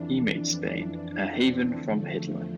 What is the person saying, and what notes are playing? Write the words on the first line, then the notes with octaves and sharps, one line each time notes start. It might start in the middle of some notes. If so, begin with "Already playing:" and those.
He made Spain "a haven from Hitler".
Already playing: F2 E3 D4
C4
E2 D3 F3 A3